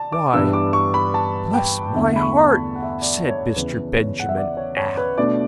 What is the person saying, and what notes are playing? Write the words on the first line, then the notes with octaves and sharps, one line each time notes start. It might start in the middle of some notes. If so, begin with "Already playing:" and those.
'Why, bless my heart!' said Mr. Benjamin Allen.
Already playing: D5 A5
D6
G2 E3 B3 D4 E6
D6
C#6
B5
A5
G5
E2 D3 A3 E4
B5
C#6
A5
F#5
E5
F#5
D5
C#5
E2 C#3 E3 B4
C#5
F#5
E5
D5
C#5
C#5
B4
B2 A3 D4 D5